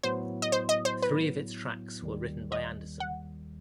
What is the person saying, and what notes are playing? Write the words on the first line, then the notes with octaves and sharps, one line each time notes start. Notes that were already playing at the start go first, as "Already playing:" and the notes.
Three of its tracks were written by Anderson.
A2 F#3 B3 E4 C5
D#5
C5
D#5
C5
B4
D#2 D#3 G3
D#5
F#5